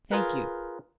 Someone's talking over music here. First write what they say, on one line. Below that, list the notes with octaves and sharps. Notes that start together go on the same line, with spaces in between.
Thank you.
F4 G#4 A#4 B4